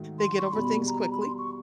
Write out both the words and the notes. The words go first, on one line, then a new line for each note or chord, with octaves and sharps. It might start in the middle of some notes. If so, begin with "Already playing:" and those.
they get over things quickly,
Already playing: G#2 D#3 F#3 A3
C6
C#6
C6
E2 B2 G3 B5
A#5
A#5
B5
C6
C#6